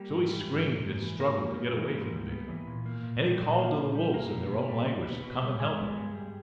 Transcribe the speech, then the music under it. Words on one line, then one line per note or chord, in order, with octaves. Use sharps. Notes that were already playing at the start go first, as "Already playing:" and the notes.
So he screamed and struggled to get away from the big hunter, and he called to the wolves in their own language to come and help him.
Already playing: G3 A#3 G4
G#2
E3
G#2
A#3
G#2
E3
G#2 A#3 A#4
G3
B3
E3
G#2
G3
B3
E3
A#2
A#3
A#2
G3
A#2
A#3
A#2
G3
B2 A#3 A#4
B3
B2
G3
B2
B3
B2
G3
G2 G#3 G#4
B3
G2
G3